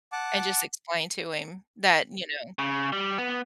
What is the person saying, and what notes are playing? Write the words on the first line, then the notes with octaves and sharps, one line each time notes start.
and just explain to him that, you know
F#5 A5 D6
C#3
G3
B3